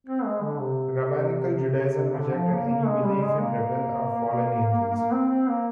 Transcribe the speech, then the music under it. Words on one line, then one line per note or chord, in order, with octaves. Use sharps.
Rabbinical Judaism rejected any belief in rebel or fallen angels.
C4
G#3
D3
C3
D3
F3
A#3
A#3
G#3
G3
G#3
A#3
A#3
C4
C4
A#3